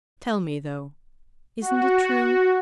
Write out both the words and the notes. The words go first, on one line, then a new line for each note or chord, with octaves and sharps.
Tell me, though, isn't it true?
F#4